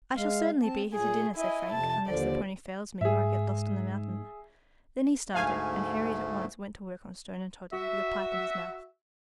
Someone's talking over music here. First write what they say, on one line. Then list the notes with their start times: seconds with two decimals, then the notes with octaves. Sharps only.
"I shall certainly be here to dinner," said Frank, "unless the pony fails me or I get lost on the mountain." Then he started, and Herriot at once went to work on Stone and Toddy, with a pipe in his mouth.
0.16 G#3 F5
0.63 C4 A5
0.93 A#2 G#4
1.35 E4 D#5 G#5
1.72 F2 C3 A5
2.07 D#2 D3 F3 D5
3.01 G#2 G#4 E5
5.35 D2 G#2 A3 F5 G#5
7.73 F#4 E5